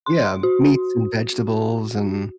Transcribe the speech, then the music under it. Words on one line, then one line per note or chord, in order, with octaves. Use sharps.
Yeah, meats and vegetables, and
C6
F#4